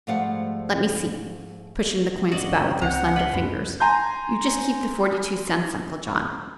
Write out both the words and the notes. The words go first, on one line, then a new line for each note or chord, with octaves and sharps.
Let me see," pushing the coins about with her slender fingers, "you just keep the forty-two cents, Uncle John.
G#2 F3 G3 A3 F5 F#5
G2 C#3 F#4 D5 D#5
C3 G5
C#2 F#5 G#5 A#5 G6
B4 D#5 C6 F6 B6
F#2 B5
G#5 A#5 C6 G6